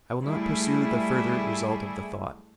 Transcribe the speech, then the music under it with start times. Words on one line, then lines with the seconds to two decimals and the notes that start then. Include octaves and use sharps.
I will not pursue the further result of the thought.
0.24 G3 A3 E4 G#4